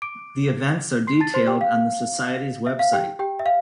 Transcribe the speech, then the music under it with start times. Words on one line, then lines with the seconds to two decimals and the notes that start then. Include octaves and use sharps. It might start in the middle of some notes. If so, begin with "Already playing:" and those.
The events are detailed on the society's web site.
0.02 D6 D7
1.07 C6 C7
1.20 A5 A6
1.34 C5 C6
1.47 G4 G5
1.61 F5
2.66 E5
2.79 F5
2.93 G4 G5
3.19 G4 G5
3.39 E5
3.46 F5